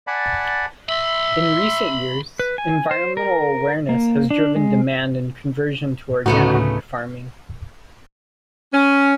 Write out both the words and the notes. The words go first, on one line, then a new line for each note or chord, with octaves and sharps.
In recent years, environmental awareness has driven demand and conversion to organic farming.
D5 F#5 G#5 A5 B5
E5 B5 C6
B4
G#5
C5
A#4
A#3
D4
G#3
D2 A2 C#3 A3 B3 D#4 F#4
C#4